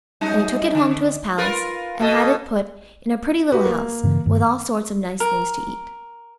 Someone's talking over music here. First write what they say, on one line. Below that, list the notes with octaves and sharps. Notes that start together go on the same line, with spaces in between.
And he took it home to his palace and had it put in a pretty little house, with all sorts of nice things to eat.
F#2 G3 D#4
D3
F4 A#4 B4
B2 A4 D#5
F#4 G4 B4
A#3
G2 C#3 E3
G2 D#3
A#4